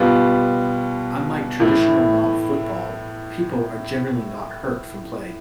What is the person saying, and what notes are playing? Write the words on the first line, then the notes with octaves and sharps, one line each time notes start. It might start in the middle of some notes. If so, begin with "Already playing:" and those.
Unlike traditional mob football, people are generally not hurt from play.
Already playing: B2 G3 B3 F4
A2 E3 A3 E4